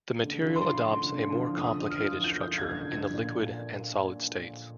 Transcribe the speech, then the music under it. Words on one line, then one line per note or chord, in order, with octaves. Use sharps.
The material adopts a more complicated structure in the liquid and solid states.
D3
F3
C6
F3
D3
D3
F3
D3 D#6
F3
F6
F3
F3 G6
F3
G#6
D3
F3 G#6
A#2